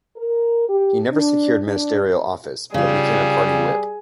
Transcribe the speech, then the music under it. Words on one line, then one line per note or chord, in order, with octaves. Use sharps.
He never secured ministerial office, but became a party whip.
A#4
G4
D4
D4
C#3 G3 F4 G#4